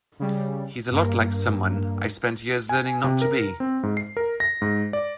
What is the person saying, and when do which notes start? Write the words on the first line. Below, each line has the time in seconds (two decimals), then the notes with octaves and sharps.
He's a lot like someone I spent years learning not to be.
0.20 C#3 G3
0.91 G2 A#3
2.69 G#5
3.04 C3
3.22 A#4
3.60 C4
3.83 G#2
3.97 C7
4.17 A#4
4.40 A#6
4.62 G#2
4.93 D5